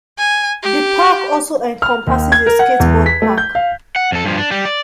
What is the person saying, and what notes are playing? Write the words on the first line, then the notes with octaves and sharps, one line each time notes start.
The park also encompasses a skateboard park.
G#5
G4
F6
D#2
G#6
A#4
F#5
E2
B6
A3
G6
F5
F#5
F2 A4
G2 F3
D4
G3 G4
D5